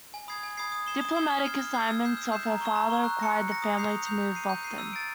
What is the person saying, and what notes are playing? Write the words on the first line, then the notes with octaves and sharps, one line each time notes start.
Diplomatic assignments of her father required the family to move often.
G#5
B5 D#6 G#6 C7
G#5
B5 D#6 G#6 C7
D#6
G#6 C7 E7 G7
D#6
G#6 C7 E7 G7
F6
G#6 C7
F6
G#6 C7
E6
G6 C7 E7
E6
G6 C7 E7
A#5
C#6 E6
A#5
C#6 E6
F#6
A#6 C#7
F#6
A#6 C#7
D#6
G6 C7 F7
D#6
G6 C7 F7
G6
C7 D#7
G6
C7 D#7
E6
A6 D7